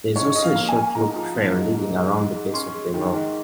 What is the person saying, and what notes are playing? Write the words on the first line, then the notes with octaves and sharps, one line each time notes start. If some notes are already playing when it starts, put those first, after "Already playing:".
There is also a short loop trail leading around the base of the rock.
G#2 C#5
C#4 D#5
F5
A#3
G#5
A#3
G#2 A#5
F3
F3
G#2
G#2
G#3
G#2
G#2
C#4 C6
G#3
D#3
G#2